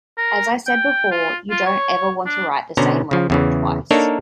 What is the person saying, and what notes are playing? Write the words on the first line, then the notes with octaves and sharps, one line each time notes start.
As I said before, you don't ever want to write the same record twice.
A#4
G5
F4
F4
C#5
D4
B2 D3 C#4 C5 A#5
C#3 F3
E2 C#3 E3
A#3 D4 D#4 A4 A#4 C#5